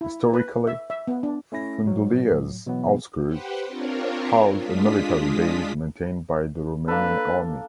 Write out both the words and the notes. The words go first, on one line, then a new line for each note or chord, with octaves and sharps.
Historically, Fundulea's outskirts housed a military base maintained by the Romanian Army.
E4
B4
E5
E5
B3
D4
A3 C#4 E4 A#6
A2 F#3
B2 E3 F#3 B3
G4 B4 C5 F#5 G5
C4 D4 F4 A#4 C#5
G#3 D4 F4 D#6 B6
A#3 D4 A4 B4